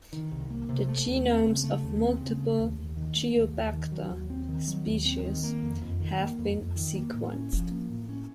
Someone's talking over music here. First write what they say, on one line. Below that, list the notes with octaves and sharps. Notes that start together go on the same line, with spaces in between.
The genomes of multiple "Geobacter" species have been sequenced.
D#3
C2
A#3
C3
A3
D#2
C4
C#3
A3
D#2
C4
C#3
A3
D#2
D#2
D#3
A3
D#2
D#2
D#3
F#3
D#2
C4
D#3
F#3
D#2
C4
D#3
A#3
F2
F2
D#3
A#3
F2
F2
D#3
A#3
A2
C#4
F3
A#3
A2
C#4